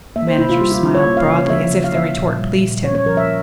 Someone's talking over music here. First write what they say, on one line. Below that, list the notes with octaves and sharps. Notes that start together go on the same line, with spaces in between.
The manager smiled broadly, as if the retort pleased him.
A#3 E5
C5
C3 E4
F4
G3 G4
F4
C#4 E4
C#5
A#3
F5
C#3
C#5
F3 E5
C#3
F5
A#3 E5
A#2
G3
A#2
C#4 C#5
C#5
F3 A#4
E5